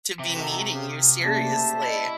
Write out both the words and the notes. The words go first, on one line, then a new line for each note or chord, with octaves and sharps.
to be meeting you seriously.
C3 E5 D6
D#4 F#4 A4
G4 F5 D#6
A3 A#3 C#4 G#4 D5 A5
G4 C5 E5
E4 D5 D#5 B5 C#6